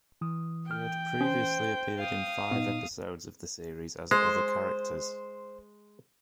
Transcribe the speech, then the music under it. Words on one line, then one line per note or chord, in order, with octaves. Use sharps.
He had previously appeared in five episodes of the series as other characters.
E3 D#6
G5 F6
C#4 C5
F5 D#6
A#2 B3 D#4
G#3 C5